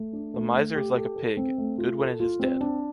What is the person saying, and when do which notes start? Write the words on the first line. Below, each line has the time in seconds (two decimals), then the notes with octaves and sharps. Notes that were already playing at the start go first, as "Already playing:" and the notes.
The miser is like a pig, good when it is dead.
Already playing: A3
0.13 D4
0.34 A3
0.54 A3
0.75 G4
0.96 A4
1.16 A4
1.37 C4
1.58 A3
1.78 F4
1.99 A4
2.20 F4
2.40 C4
2.61 D4